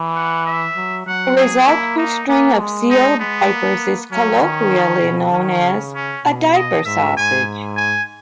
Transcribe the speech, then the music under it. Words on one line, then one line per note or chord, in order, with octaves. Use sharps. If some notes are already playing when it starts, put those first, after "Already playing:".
The resulting string of sealed diapers is colloquially known as a "diaper sausage".
Already playing: E3
F#5
E5
F#3
F#3 F#5
G#4
A#3 E4
D#4
A#3 B3
G#3
D#4
G#3 B3
A#3
F#3 C#4
D#3 C#4
B2
D#3 C#4
C#3
C#4
B2
D#5
G#2 E5
G#2 G#5
G#5